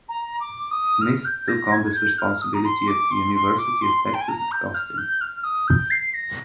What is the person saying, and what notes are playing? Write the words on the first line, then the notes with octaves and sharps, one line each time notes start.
Smith took on this responsibility at the University of Texas at Austin.
A#5
D6
D#6
F6
G6
A#6
G#6
G6
F6
D#6
A#5
C6
D6
C6
C6
D6
C6
C6
G5
G#5
A#5
G6
F6
G6
F6
D#6
G6
C7
A#6